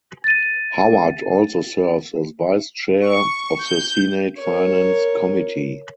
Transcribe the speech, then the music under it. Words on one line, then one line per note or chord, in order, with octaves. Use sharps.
Howard also serves as vice chair of the Senate Finance Committee.
A6 D#7
C#6
G6
A#4 C#5